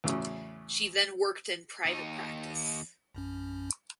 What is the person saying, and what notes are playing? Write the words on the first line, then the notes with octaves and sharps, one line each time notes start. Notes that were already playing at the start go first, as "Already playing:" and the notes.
She then worked in private practice.
E2 A2 C#3 F#3
D#2 D#4
A#1 F#2 C#4